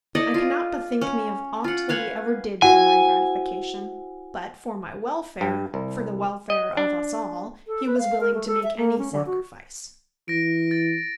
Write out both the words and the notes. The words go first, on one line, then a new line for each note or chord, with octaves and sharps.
I cannot bethink me of aught that he ever did for my gratification; but for my welfare,--for the welfare of us all,--he was willing to make any sacrifice.
E4 A4 D5 D#5
F4
C#4
F4 F#5
B4 F5 F#5 G#5
E4 F#4 C5 F#5 G#5
G2
C2
D#5
D4
A4
B4
F5
A#4
A3
A4
E5
A#3
C#4
D3
F#4
E3 A#6 D7
A6